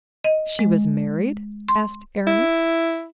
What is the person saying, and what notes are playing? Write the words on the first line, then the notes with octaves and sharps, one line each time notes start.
"She was married?" asked Aramis.
D#5
G#3
C6
E4